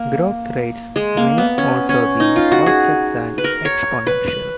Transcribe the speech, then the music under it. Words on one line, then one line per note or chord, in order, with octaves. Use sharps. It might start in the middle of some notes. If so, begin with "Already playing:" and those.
Growth rates may also be faster than exponential.
Already playing: A#3
G#3
A#3
B3
C#4
C#4
D#4
F4
F#4
G#4
B4
A#4
C#5
B4
B4